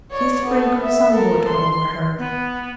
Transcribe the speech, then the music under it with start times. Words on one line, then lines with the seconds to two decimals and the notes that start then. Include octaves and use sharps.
He sprinkled some water over her.
0.11 C#5 D5
0.46 B3 A4
0.81 E5
1.10 A4 A#4
1.49 C6
2.19 B3